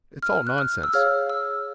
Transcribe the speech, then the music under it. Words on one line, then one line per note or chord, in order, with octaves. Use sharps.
It's all nonsense...
F6
F#6
F6
E6
G#4 C#5 F5 F6
E6